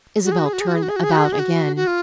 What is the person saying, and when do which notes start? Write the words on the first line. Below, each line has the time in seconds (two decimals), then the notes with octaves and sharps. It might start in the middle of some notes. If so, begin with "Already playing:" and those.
Isabel turned about again.
0.25 F#4
0.32 G#4
0.38 F#4
0.46 G#4
0.53 F#4
0.60 G#4
0.67 F#4
0.75 G#4
0.83 F#4
0.89 G#4
0.96 F#4
1.03 G#4
1.11 F#4
1.18 G#4
1.25 F#4
1.33 G#4
1.39 F#4
1.76 F#4
1.87 F4